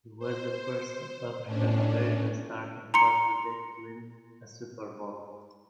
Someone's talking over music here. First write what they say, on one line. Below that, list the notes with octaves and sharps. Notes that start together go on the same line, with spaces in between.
He was the first African-American starting quarterback to win a Super Bowl.
C5
A2 C#4 D4
A#5 C6 C#7